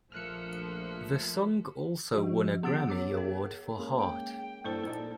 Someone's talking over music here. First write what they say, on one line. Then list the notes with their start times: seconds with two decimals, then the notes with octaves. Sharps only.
The song also won a Grammy Award for Hart.
0.12 A#1 F3 A3 A#3 E5 F6 F#6 C#7
2.14 F3 F#4
2.63 B3 F#5 E6 A6 D7
2.89 C#5 D6 E6
3.14 G#4 A#4
3.77 G#3 A#3 C#4
3.98 G5
4.38 G5
4.64 G2 A#3 E4 A4 C5
4.84 A#2 A3 D#4 C5